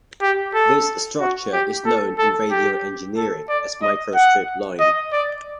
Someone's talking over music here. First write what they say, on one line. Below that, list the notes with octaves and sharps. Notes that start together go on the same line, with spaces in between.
This structure is known in radio engineering as microstrip line.
G4
A4
F#4
G4
A4
A4
G4
A4
D5
D#5
F#5
D#5
D5